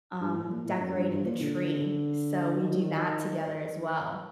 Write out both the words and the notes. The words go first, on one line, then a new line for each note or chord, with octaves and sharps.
um, decorated the tree; so we do that together as well.
G2
A2
A#2
A2
F#2
G2
G2
A#2
D3
D#3
F#3
D#3